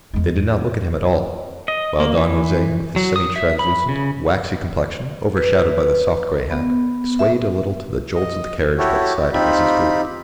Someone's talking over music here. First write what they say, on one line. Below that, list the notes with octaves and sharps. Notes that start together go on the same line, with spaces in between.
They did not look at him at all; while Don Jose, with his semi-translucent, waxy complexion, overshadowed by the soft grey hat, swayed a little to the jolts of the carriage by the side of Mrs. Gould.
E2 G#3
D#5
A#3
E3
F#3
D#6
E5
B5
C#3
B4
B3
E5
D#5
E4 F#4 G4 A4 C#5
C4 D#4 F4 G4 B5